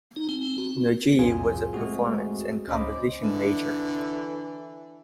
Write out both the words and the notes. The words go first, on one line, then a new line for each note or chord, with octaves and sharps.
Najee was a performance and composition major.
D#4
C4
F#4
C2 F2 A2 F4 G#4 G#5
G#3 A3 C4 F#4 G#4
C#2 C#4 C5 D#5 B5 D6
D3 E3